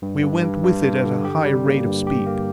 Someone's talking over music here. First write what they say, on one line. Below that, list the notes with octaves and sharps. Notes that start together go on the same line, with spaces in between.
We went with it at a high rate of speed.
G2
G2
G2
G2
G2
D3
G4
G3
A#3
G2
G4
A#3